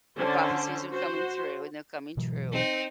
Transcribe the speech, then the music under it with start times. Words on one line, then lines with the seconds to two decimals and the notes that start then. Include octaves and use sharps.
the prophecies are coming through, and they're coming true.
0.18 D3 C#4 C5
0.92 F#4 C5
2.17 B2 E3 F#3
2.52 C4 D#4